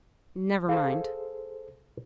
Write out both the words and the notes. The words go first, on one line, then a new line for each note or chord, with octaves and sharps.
Never mind.
G#4 A4 C5 F5